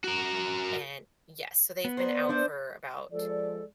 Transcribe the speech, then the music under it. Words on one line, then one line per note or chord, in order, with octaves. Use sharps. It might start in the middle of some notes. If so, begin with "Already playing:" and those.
and yes, so they've been out for about
F#4 A#4
B3 B4
D4 D#4 C5
D4 D#4 C5 D5 E5
F3 G#3 A4 D5